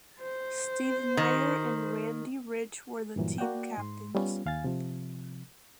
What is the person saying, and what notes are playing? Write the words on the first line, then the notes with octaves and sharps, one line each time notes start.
Steve Myer and Randy Rich were the team captains.
C5
D#3
G2 A#2 E3 F#3
A#3 F#4 D5 F#5 G5
G#2 C6
G3 B3 C#4 F4
D#2 F5 G#5 A6
C3 F3